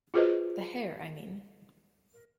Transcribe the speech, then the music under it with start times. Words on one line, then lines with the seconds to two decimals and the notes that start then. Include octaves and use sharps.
The hair, I mean.
0.14 F4 F#4 G#4 B4 C5 D#5